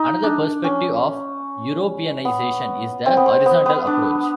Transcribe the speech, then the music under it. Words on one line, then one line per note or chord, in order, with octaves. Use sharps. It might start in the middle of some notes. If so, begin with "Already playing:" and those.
Another perspective of Europeanisation is the 'horizontal approach.
Already playing: D#4
D4
C#4
B3
C4
B3
C4
B3
B3
D4